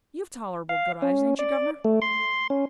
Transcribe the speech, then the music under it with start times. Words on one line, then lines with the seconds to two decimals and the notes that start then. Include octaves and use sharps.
'You've tolerable good eyes, ain't you, Governor?
0.69 F5
1.02 C#4
1.39 D5
1.85 A3
2.02 C6
2.50 C#4